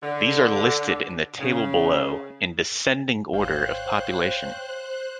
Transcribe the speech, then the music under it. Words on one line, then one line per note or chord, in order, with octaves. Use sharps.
These are listed in the table below, in descending order of population.
D3
C#3
G#1 C5 C#5 F5 G5 F#6